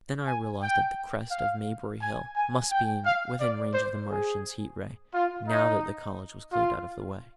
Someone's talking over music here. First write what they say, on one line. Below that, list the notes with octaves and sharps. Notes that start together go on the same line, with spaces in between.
Then I realised that the crest of Maybury Hill must be within range of the Martians' Heat-Ray now that the college was cleared out of the way.
G#5
G5
F5
G#5
G#5
G5
F5
D5
C5
G#4
F4
D#4
F4